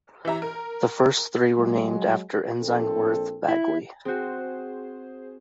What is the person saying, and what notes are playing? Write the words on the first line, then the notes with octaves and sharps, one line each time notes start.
The first three were named after Ensign Worth Bagley.
E3 G4 E5 A#5
A#4
F#3 G#3
A#1 C4 A4
E4
C4 F#4 G#4 C5